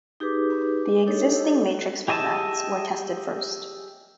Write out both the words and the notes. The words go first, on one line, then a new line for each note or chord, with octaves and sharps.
The existing matrix formats were tested first.
D#4 G4 G#4 B4 D6
D4 D#4 G4 A4 C#5 D#5
G4 G#4 D#5 E5 A5